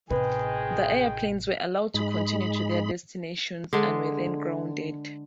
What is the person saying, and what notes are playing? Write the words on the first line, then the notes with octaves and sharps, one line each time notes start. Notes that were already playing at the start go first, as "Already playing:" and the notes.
The airplanes were allowed to continue to their destinations and were then grounded.
A1 C3 D#3 G#3 G#4 B4 G5
G#2 G#3 B5
D3 G#3